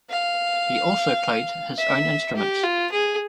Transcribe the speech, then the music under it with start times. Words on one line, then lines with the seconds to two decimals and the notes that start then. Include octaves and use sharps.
He also played his own instruments.
0.10 F5
1.79 E5
2.36 G4
2.64 F4
2.92 G#4